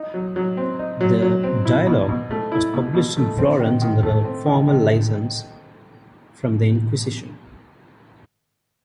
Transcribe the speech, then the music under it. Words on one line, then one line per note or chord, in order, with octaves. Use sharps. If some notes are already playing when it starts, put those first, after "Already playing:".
The "Dialogue" was published in Florence under a formal license from the Inquisition.
Already playing: D#4
F#3
F#3
C4
D#4
F#3
F#3
C4
E4
B2
B2
A3
E4
B2
B2
A3
C4
D#3
D#3
A3
C4
D#3
D#3